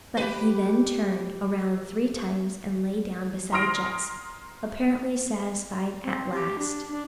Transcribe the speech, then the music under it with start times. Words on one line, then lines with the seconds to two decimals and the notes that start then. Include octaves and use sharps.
But he then turned around three times and lay down beside Jess, apparently satisfied at last.
0.17 G4 B4
3.52 A#5 C6 D#6 F6 A#6 D7
6.03 C4
6.34 G4
6.58 D4
6.91 D4